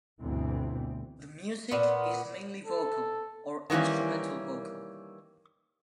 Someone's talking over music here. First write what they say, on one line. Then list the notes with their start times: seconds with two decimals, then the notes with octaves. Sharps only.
The music is mainly vocal, or instrumental-vocal.
0.22 G1 D2 B2 E3 C4
1.71 A#2 B3
2.66 A4
3.70 D#3 E3 G3 A#3 C#4